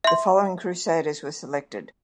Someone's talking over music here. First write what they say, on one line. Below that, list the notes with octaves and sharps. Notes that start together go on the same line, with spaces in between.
The following Crusaders were selected.
E5 C6